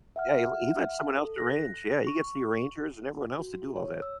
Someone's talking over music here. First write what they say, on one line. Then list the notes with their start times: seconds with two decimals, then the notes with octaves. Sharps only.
Yeah, he le he let someone else arrange. Yeah, he gets the arrangers and everyone else to do all that.
0.16 E5 F#5 F6
1.18 A4
1.36 F#6 A#6
2.07 C#6
3.39 F#4
3.76 C#5
4.02 E6